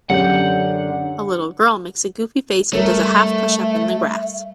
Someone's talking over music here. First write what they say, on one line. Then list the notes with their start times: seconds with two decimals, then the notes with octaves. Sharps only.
A little girl makes a goofy face and does a half push up in the grass.
0.10 F#2 D3 G4 F#5 G6
2.73 G3 A3 A#4 C#5 E5